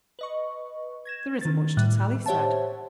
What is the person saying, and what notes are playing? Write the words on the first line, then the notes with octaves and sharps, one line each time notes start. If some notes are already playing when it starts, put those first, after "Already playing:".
"There isn't much to tell," he said.
B4 D#5 C#6
G#6 A#6 E7
D#3 A6
A2 G3 F#6
G4 C5 C#5 E5 F#5 A5